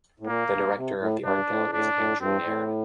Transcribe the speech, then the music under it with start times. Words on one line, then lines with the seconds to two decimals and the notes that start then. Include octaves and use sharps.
The director of the art gallery is Andrew Nairne.
0.20 A2
0.27 A#2 A#3
0.51 G2
0.76 C3
1.00 A2
1.24 G2 D4
1.48 A2
1.72 A2 D4
1.96 A2
2.20 G2 C4
2.44 A2